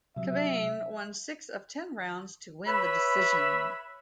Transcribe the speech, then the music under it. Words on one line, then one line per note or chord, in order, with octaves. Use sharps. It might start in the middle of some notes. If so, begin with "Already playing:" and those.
Kilbane won six of ten rounds to win the decision.
C3 F#3 E5
B4 C#5 E5 B5